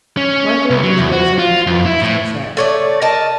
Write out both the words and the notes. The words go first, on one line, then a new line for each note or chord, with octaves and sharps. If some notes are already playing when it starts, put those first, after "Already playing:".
Marguerite was gazing out towards the sunset.
C#4
C2
F#3
E2
F#4
F4
F2
E4
A2
A3 C#5 D5
A#4 D#5 A5